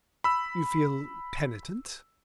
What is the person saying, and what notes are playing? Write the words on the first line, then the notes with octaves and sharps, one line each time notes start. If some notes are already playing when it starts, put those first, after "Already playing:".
"You feel penitent?"
B5 E6